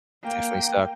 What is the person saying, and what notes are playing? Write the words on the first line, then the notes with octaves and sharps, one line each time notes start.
Definitely suck.
A#3 G5